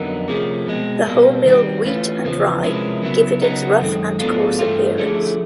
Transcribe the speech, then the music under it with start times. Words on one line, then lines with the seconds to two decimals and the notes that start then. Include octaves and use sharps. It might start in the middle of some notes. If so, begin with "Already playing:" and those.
The wholemeal wheat and rye give it its rough and coarse appearance.
Already playing: F2 D3 F#3 B3 D#4 A#4
0.28 C3 F3 A3 C#4 G#4
0.67 B2 G#3 C4
1.06 B2 G3 A#3 A#4
1.26 B4
1.46 D#3 G3 C4 B4
1.85 E3 A3 C#4 F4 B4
2.17 B4
2.24 E2 C#3 F3 C5
2.44 B4
2.63 C3 F3 G#3 C#4 E4 A#4
3.02 C#3 F#3 B3 E4 A#4
3.42 C#3 F#3 B3 D#4
3.81 F#2 D#3 G#3 C4 A4
4.20 A2 F#3 B3 D4 F4 A4
4.40 G#4
4.59 G2 E3 A3 C4 F4 A4
4.79 A4
4.98 D3 F3 A3 C#4 E4 G#4
5.09 G#4
5.18 A4